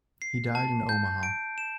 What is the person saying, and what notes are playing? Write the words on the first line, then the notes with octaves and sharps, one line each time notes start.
He died in Omaha.
C7
A5
G6
D7
E7